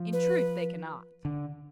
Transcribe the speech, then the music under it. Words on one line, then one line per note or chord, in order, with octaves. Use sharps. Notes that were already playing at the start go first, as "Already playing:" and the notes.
In truth they cannot.
Already playing: F3
B4
D3